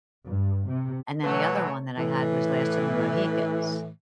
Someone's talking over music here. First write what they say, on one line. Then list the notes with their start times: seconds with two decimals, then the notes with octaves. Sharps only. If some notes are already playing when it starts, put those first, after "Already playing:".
And then the other one that I had was Last of the Mohicans.
0.26 G2
0.68 C3
1.23 B2 E3 F#3 A3 B4 C#5
1.97 A2 E3